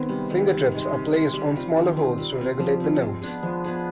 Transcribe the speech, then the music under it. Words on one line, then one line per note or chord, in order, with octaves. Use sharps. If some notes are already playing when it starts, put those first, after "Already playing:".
Finger tips are placed on smaller holes to regulate the notes.
Already playing: D#3 G#3 B3 C4
C3 G3
D#3 G#3
C3
D#3 G#3
C3
D#3 G#3
G3
C4 F4
D#3 G3
C4 F4
G3
C4 F4
F3 G3
C4 F4
G#3
B3 D4 G#4
F3 G#3
B3 D4 G#4